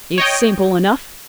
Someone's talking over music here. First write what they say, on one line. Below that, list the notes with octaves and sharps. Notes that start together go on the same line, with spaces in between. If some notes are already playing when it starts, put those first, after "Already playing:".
It's simple enough.
C#5 D#5 G5